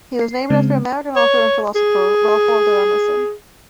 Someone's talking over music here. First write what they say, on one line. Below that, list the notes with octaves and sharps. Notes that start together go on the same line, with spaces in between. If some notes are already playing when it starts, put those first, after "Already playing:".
He was named after American author and philosopher, Ralph Waldo Emerson.
C7
C#3 G#3 C4
C#5
G#4